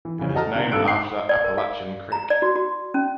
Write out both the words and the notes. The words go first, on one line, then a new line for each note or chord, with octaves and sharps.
It is named after Apalachin Creek.
E3
F2 C#3 E3
F#4 A4 D#5 A5 A#5 F6
C3 D#3
G2 A4 E6 F#6 C#7 D7
G#2 G5 D#6 C7
D5
A#4
F5
A#5
D5
F#4
F#4
C#4